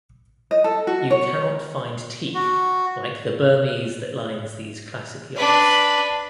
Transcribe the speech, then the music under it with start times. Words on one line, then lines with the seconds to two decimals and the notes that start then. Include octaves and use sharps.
You cannot find teak like the Burmese that lines these classic yachts.
0.51 D#5
0.64 A4
0.87 F#4
1.11 C#5
2.34 F#4
5.36 D4 B4